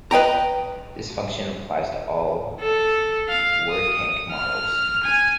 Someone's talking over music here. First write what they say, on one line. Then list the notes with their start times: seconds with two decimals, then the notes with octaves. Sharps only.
This function applies to all Wordtank models.
0.11 B4 D#5 G5 A#5
2.61 A4
3.29 F5
3.70 D#6
4.31 F6
5.03 G#5